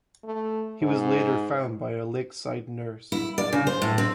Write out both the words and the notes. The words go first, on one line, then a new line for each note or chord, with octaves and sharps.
He was later found by a Lakeside nurse.
A3
G#2
E4
D5
C#3
C5
A2
C4